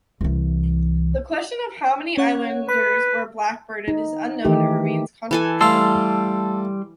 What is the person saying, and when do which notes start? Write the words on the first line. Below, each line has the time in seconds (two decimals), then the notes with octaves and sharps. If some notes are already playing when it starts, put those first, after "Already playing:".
The question of how many Islanders were "blackbirded" is unknown and remains controversial.
0.21 C2 E3
2.17 C#4 C#5 F#5
2.69 B4 B5
3.88 D#4
4.45 D#3 E3 A3 D#4 G4
5.31 E3 A4 G#5
5.61 G3 A3 F5 A5 C6 E6